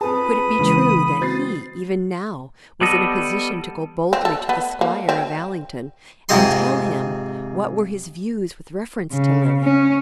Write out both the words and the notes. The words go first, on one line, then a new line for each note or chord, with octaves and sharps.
Could it be true that he, even now, was in a position to go boldly to the Squire of Allington, and tell him what were his views with reference to Lily?
F2 G#4 B4 A5 B5 D#6
D#2 C#3 E3 G#3
C4 F#4 A6 C7
G3 B3 A4 D#5
C4
A4
B3
A#3
C4
F2 G#2 C3 G#3 D#5 C6
C#3
C#4